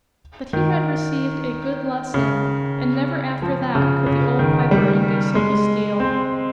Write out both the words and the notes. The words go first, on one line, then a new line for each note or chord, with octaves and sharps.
But he had received a good lesson and never after that could the old piper induce him to steal.
D#3
C#3
F3
C#3
C#3
D#3
G3
G#3
C4